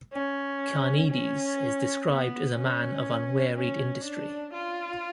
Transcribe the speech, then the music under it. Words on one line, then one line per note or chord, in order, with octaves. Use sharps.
Carneades is described as a man of unwearied industry.
C#4
C#4
B3
C#4
C#4
D4
F4